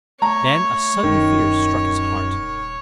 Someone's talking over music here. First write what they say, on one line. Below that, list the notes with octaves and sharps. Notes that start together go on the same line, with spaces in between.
Then a sudden fear struck his heart.
A3 C#5 A#5
D#1 F#2 D#3